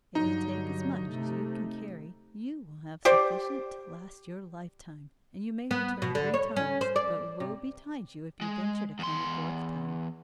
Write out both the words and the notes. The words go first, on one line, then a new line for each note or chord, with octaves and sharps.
If you take as much as you can carry you will have sufficient to last your lifetime, and you may return three times; but woe betide you if you venture to come a fourth time.
G2 D3 F#3 D#4
C3 A3
G4 C5 D5
B3
B2
D3
C#5
C#4
C5
D5
C3
G#3
E2 C6